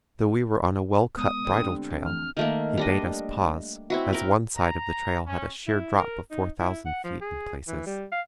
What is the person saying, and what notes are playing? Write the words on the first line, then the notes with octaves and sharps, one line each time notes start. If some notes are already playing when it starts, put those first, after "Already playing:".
Though we were on a well-cut bridle-trail, he bade us pause, as one side of the trail had a sheer drop of four thousand feet in places.
G#3 B3 D#6
D3 G3 C4
F2
E3 A3 F6
D#3 A3 A#3
G3 D4 D#5
C4 E4 F#4
C4 A#4
A#5
C#4
E4
A#4
D#4
E4
F#5
F3
G#4
E3
G3
F5